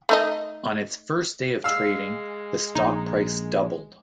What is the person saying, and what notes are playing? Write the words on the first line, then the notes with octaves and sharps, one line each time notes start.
On its first day of trading, the stock price doubled.
A3 D#4 D#5
G#3 F5 E6
A#1 D#4